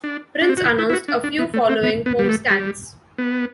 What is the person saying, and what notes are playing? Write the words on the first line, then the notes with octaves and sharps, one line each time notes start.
Prince announced a few following homestands.
D4
D4
C4
F#4
E4
E4
E4
F#4
D4
D4
B3
A3
C4
B3
B3
G3
A3
G3
B3